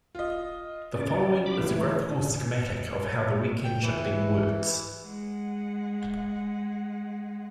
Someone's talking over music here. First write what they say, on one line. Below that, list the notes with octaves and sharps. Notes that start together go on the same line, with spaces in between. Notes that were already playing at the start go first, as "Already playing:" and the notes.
The following is a graphical schematic of how the weekend shifting works.
F4 D#5
C#3 D5
B5 D6
A2 E3 F3
G5
E3
G#3 F#5